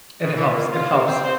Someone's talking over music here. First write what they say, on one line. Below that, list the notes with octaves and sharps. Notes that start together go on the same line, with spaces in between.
it helps it helps
B2
E3
A#2
F4
C3
C4
C5